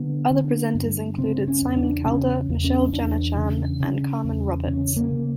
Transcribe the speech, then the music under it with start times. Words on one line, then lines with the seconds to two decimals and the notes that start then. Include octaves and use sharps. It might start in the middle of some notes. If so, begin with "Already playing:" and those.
Other presenters included: Simon Calder, Michelle Jana-Chan and Carmen Roberts.
Already playing: D3 B3
0.31 D3
0.75 G2
1.18 C#3 C4
1.48 C#4
1.62 E2
1.77 D4
2.05 C#3 C#4
2.49 E2
2.64 C#4
2.92 E2 D4
3.36 C#3
3.80 C#3
4.24 E2
4.67 C#3 C#4
4.96 A#3
5.12 C#3